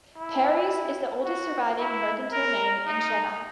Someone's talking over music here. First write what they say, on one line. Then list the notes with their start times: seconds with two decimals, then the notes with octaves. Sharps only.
Parry's is the oldest surviving mercantile name in Chennai.
0.18 E4
1.24 F#4
1.79 E4
2.32 A#4
2.86 D#4